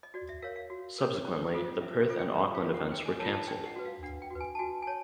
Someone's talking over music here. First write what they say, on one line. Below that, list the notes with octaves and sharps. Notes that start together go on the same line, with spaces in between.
Subsequently the Perth and Auckland events were cancelled.
D#5
F#4 D5
E5
A#4 C#5 F5
F5
F#4
A#4 C#5
C#4
F4 A4 C5
C#4 E5
E5
F4 A4 C5
G5
C#4
F5
F4 A#4 C#5
F#5
C#4 G5
G#5
F4 A#4 C#5 A5
A#5
A5
D4 G5
F#5
F#4 B4
F5
D4 F#5
G5
F#4 B4
G#5
A5
F#4 G#5
G#5
C#5 A5